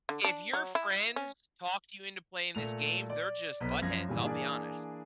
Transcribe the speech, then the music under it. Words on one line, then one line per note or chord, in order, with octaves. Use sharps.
If your friends talk you into playing this game, they're just buttheads. I'll be honest.
D3
D4
F#3
E4
C#4
A#2 A3 F7
D5
B1 B3 B6
F#2 F3 G#6 A#6
G2 A#2 C#3 E3
E3 A#3 D4 G#4 D5